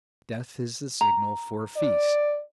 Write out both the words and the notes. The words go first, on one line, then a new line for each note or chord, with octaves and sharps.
Death is the signal for a feast.
A#5
D5